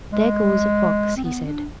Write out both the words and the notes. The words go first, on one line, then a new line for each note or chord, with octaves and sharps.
"There goes a fox," he said.
G#3
C4
B3
D4